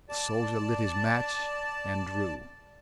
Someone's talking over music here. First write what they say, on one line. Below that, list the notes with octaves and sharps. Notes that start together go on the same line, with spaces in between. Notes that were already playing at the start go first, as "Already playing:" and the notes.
The soldier lit his match, and drew.
D5 A5